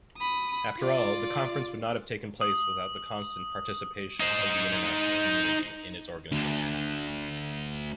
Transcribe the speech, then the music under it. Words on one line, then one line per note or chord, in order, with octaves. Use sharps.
After all, the conference would not have taken place without the constant participation of the international community in its organization.
B5 D#6
F4 D5
D#6
D#4 C5
D2 D3